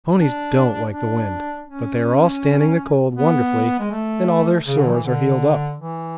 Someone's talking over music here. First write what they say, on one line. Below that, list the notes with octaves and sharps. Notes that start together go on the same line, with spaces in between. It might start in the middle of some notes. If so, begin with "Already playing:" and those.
The ponies don't like the wind, but they are all standing the cold wonderfully and all their sores are healed up.
D4
D4
C#4
B3
G#3
A3
C#3
D3
F#3
E3
D3
E3